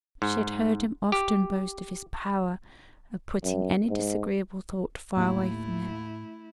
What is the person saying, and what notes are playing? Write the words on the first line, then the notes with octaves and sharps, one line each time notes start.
She had heard him often boast of his power of putting any disagreeable thought far away from him.
G#2
G4
F#2
G#2
D#2 A2 A3 E4